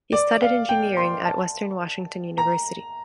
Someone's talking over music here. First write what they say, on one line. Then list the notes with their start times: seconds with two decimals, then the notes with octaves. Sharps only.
He studied engineering at Western Washington University.
0.12 D5
0.42 F5
0.69 G5
0.97 C6
1.25 A5
2.38 A#5